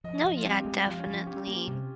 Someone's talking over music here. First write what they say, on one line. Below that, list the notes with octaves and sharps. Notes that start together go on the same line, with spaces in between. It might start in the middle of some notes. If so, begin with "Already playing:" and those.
No, yeah, definitely.
F3 D#5
D#5
F3
F4
C4 G4
G#3
F3 F4
C#4
F3
F4
C#4 G4
A#3
C3